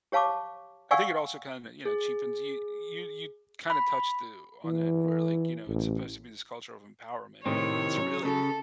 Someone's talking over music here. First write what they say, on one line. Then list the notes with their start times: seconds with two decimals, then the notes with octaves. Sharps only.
I think it also kind of, you know, cheapens you you you kind of touched on it, where like, you know, it's supposed to be this culture of empowerment, but it's really
0.12 G4 C#5 F5 A5 C#6 D6
0.91 D5 F5 F#5 G#5 C#6 E6
1.85 G#4
3.70 B5
4.65 E3
5.68 A1
7.46 A2 C3 D#3 C4 C#5
7.97 F#3 C#4
8.25 C#3 A4